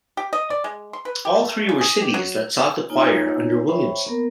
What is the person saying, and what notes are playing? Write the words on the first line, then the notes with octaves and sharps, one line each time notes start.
All three were cities that sought the choir under Williamson.
G4
D#5
D5
G#3
C6
B4
G4
A3
C#3
G#4
G4
F#3
A#3 D#4 F4 C#5 G#5
C5 C#5 E5 G5 B5 C#6
A#3 B3 A#4